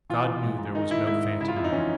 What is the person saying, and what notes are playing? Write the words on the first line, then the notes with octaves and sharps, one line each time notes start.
God knew there was no phantom there!
E3 F4
E3
G#2
G#2
D#3 D#4
D#3 E4
G#2 E4
G#2
C#3 E4
F4
F2 E4
D#4
E3 C#4